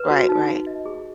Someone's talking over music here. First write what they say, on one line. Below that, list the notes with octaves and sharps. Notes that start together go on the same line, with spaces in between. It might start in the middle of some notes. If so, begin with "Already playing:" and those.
Right, right.
Already playing: B4
F#4
D#4
D#4
D#5
G#4